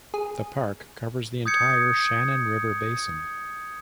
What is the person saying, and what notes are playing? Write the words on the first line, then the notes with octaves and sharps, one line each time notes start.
The park covers the entire Shannon River basin.
G#4
D#6 G6 G#6 C#7